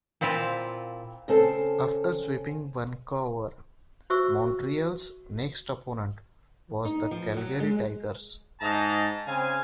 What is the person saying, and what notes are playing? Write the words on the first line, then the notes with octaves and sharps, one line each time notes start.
After sweeping Vancouver, Montreal's next opponent was the Calgary Tigers.
A#2 C4 E4 F4
C#3 C4 A4
F#4 C5 E5 C#6 E6
D#4
F3
F#3
G#3
G#2 G#4 D#5 A5 A#5
C#3 C4 F5 G#5